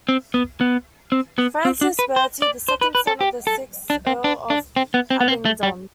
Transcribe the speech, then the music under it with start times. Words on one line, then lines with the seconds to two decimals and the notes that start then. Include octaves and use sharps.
Francis Bertie, the second son of the sixth Earl of Abingdon.
0.09 C4
0.34 B3
0.61 B3
1.12 C4
1.38 B3
1.65 C4
1.81 D4
1.99 B4
2.16 C5
2.42 D5
2.68 C5
2.81 B4
2.95 B4
3.07 A4
3.21 G4
3.47 A4
3.90 D4
4.07 C4
4.24 D4
4.50 D4
4.76 C4
4.94 B3
5.10 C4
5.21 B3
5.28 C4
5.45 A3
5.63 G3